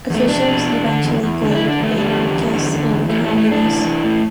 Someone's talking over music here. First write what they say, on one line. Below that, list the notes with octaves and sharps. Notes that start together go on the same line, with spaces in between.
Officials eventually blamed anarchists and communists.
E2 A3
B2 D4
B2
E2
D3
E2
E2
D3
D4
E4
D3
D4
E2 A3
D3 G3
E2
E2
D3
D3
E2
E3 A3
A2 A3
A3
A2 D4
E3
E3
A2